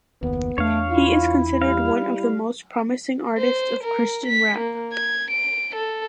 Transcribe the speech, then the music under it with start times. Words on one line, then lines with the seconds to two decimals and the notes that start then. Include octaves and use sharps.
He is considered one of the most promising artists of Christian rap.
0.23 F#1 D#2 B3
0.58 E2 A3 D4 C#5 F5
0.90 E4 F4
1.62 G3 F5
3.39 C5
3.84 A#4
4.27 B6
4.58 A#3
4.93 G#6
5.31 D7
5.75 A4